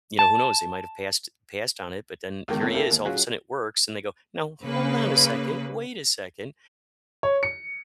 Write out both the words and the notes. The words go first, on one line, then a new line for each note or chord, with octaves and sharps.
you know, who knows, they might have passed passed on it, but then here he is, all of a sudden, it works, and they go, "Now hold on a second, wait a second."
A5
C#2 B2 D#3
F2 A2 A#3 C#4
A#3 E4 G4 A4 A#4
D#2
F#3 C#4 F4 F#4 G#4
C#3 A#3 B4
C#5
C#7